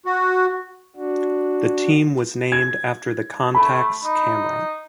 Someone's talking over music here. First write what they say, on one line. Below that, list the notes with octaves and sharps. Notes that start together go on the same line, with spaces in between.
The team was named after the "Contax" camera.
F#4
D4 F#4
G#6
A3 B5
D#4